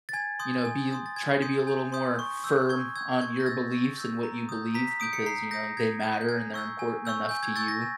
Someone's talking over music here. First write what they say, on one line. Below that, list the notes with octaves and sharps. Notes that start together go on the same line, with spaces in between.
you know, be "Try to be a little more firm on your beliefs and what you believe, because, you know, they matter and they're important enough to you.
A6
G#5 G#6
C6 D#6 G6
G#5
C6 D#6 G6
A6
G#5 G#6
C6 D#6 G6
G#5 G6
C6 D#6 G6
C#6
E6 G6
C#6 G#6
E6 G6 G#6
C#6 G#6
A#6
E6 G6 A6
C#6
E6 G6
A#5
D#6 G6
A#5 B6
B6
D#6 G6 D7
C#7
A#5 C7
D#6 G6 A#6
A#5 G#6
D#6 G6
G6
G#5 G#6
C#6 E6 G6
G#5
C#6 E6 G6
G#5 G6
G#6
C#6 E6 G6 A6
A#6
G#5